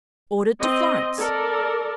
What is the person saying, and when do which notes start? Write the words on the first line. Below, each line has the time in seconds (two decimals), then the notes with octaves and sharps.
Ordered to Florence.
0.60 C4 D#5
1.17 A4 A#4 D5